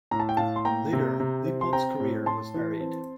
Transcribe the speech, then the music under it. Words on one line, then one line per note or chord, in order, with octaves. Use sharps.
Later Leipoldt's career was varied.
A2 A#5
A5
G5
A2 F5 A5
C6
A#3 G5 A#5
C3
C3
C4
C6
C4 G5 A#5
A2
A2 A5 C6
E3
C4